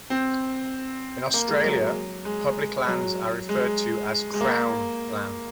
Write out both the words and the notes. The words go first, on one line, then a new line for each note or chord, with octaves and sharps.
In Australia, public lands are referred to as Crown land.
C4
A#3
G#3
F#3
G#3
F#3
G#3
G#3
A#3